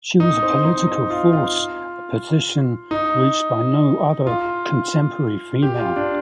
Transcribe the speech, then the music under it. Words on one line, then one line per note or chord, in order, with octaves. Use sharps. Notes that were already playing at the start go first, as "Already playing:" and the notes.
She was a political force, a position reached by no other contemporary female.
D#4
C4
D#4
D#4
F4
F4
D#4
F4
G4
F4
D4